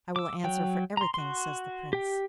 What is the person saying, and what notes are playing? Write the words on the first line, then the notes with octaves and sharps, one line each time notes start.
I will answer for everything,' says the Prince.
D6 E6
F#3 G5
A#5 C6
F#4 C6
G4 G5